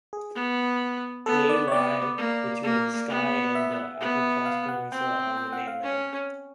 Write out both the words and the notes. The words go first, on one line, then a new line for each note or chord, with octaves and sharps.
They lie between Skye and the Applecross peninsula on the mainland.
G#4
B3
B3 A4
D5
C#5
B3 D5
A#3
A#3
B3
E5
B3
F5
F#5
C4 G5
G5
F#5
F5
C#4